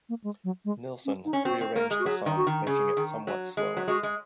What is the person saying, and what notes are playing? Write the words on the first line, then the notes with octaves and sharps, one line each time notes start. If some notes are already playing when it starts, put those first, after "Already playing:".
Nilsson re-arranged the song making it somewhat slower.
A#3
G#3
F#3
G#3
C#4
D#4
C#4
C4 F#4
C4
A#3 A#4
G#3
F#4
F#3 G#4
D#3
F#4
D#3
C#3 G#4
D#3
F#3
G#3
F#3
G#3 F#4
G#3